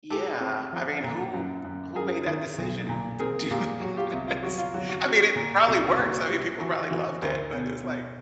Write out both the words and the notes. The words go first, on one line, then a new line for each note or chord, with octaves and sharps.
Yeah. I mean, who who made that decision to do that, it's I mean, it probably works. I mean, people probably loved it, but it was like,
G#3 G4 A4
C4
F3
A#2
F#2
F#2
F#2 G#4 A#4
D#3
B1
A#2
C4 G#4 A#4
A#2 F4 G4
F#3 F#4
F4 G4
C2
F4
F#3 F#4
F4
F#3 F#4
F#4
C4 F#4
A#2
C2 F#4
F#4
A#2
F#4
G3
E3 F#4
E3 F#4
D2 A#4 C5
B2
B2